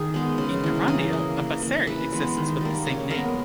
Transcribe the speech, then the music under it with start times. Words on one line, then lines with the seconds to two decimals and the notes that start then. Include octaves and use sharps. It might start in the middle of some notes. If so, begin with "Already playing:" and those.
In Erandio, a "baserri" exists with the same name.
Already playing: D#3 G#4
0.14 G#3 B3
0.38 C#3
0.64 E3 A#3
0.88 E3 G#4
1.13 A#3
1.38 E3
1.62 A#3
1.87 E3 B4
2.12 G#3 B3
2.37 D#3
2.61 G3 A#3
2.86 C#3 C#5
3.11 G#3 B3 A#4